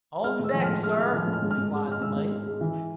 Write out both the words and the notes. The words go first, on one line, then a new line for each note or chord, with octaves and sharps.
"On deck, sir," replied the mate.
G#3 F6
A2 E6
F3
A2 F6
G#3 F6
A2 F6
F3 F6
A2
F6
G#2
F6
G#2
G#3
G#3 F6
G#2 E6
G#2
G#3
G#3
E3